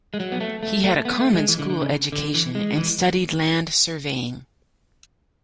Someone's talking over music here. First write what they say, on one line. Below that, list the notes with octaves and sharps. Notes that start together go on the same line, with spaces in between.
He had a common-school education, and studied land surveying.
G#3
F#3
B3
A3
A3
A3
B3
A3
G#3
E3
D3
D3
C#3
D3
E3
G#3
E3